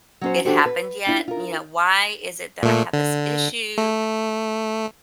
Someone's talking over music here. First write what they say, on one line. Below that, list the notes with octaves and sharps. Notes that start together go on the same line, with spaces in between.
it happened yet? You know, why is it that I have this issue?"
F#3 C#4 C5
E3 D4 F#4 G4 A4 C5
B4
D4 E4 F4
F4 A#4
A#2 A3
D3
A3